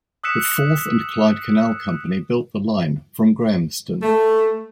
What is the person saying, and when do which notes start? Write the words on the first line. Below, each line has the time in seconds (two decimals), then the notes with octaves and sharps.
The Forth and Clyde Canal company built the line, from Grahamston.
0.24 D#6 E6 F#6 B6 C#7 E7
4.03 A3